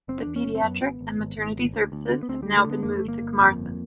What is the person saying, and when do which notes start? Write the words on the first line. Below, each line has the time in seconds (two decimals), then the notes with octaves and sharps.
The paediatric and maternity services have now been moved to Carmarthen.
0.08 F#1 C4
0.22 E2 D4
0.36 C#4
0.45 F#1
0.55 C4
0.63 F#2 B3
0.82 G#1
1.01 G#1
1.19 G#1
1.37 G#1
1.56 G#1
1.74 D2
1.92 D2
2.11 D3
2.23 B3
2.29 D2 C4
2.43 G3
2.48 D2
2.57 A3
2.66 D3
2.71 B3
2.83 F2 A#3
2.96 A3
3.04 G1 A#3
3.21 G1
3.40 F2
3.58 G1